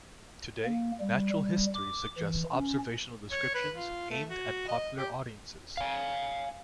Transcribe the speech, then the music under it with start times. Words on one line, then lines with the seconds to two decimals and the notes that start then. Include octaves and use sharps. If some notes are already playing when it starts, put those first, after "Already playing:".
Today, "natural history" suggests observational descriptions aimed at popular audiences.
0.65 A#3
1.01 G3
1.33 G3
1.74 D6
2.18 E3
2.52 C#4
3.31 C#5
3.54 B4
3.75 F4
4.10 A3
4.30 F#4
4.68 D#5
4.97 G4
5.77 F5 G#5